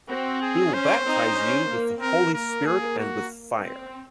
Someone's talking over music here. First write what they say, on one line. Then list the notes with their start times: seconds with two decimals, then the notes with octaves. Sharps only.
He will baptize you with the Holy Spirit and with fire.
0.09 C4 F#4
0.42 G#4
0.73 C#4 C5
1.06 C4 D#4
1.39 C#4
1.70 A#3
2.02 C4 A#4
2.34 A#3 A#4
2.66 A#3 G#4
2.99 F#4
3.63 C4